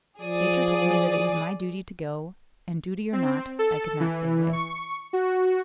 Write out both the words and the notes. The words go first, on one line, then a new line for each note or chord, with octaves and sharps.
Nature told me that it was my duty to go, and duty or not, I could not stay away.
F3 G#4 D5 D#6
C4
A4
E3
C#6
F#4